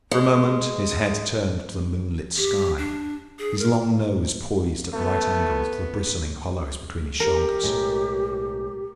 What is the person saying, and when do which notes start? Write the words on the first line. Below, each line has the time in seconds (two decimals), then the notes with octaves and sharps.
For a moment his head turned to the moonlit sky, his long nose poised at right angles to the bristling hollows between his shoulders.
0.11 G#3
2.37 G4
2.78 D4
3.39 G#4
3.59 A#4
4.94 A3 B3
7.20 G4 A#4
7.63 B1 A2 G#3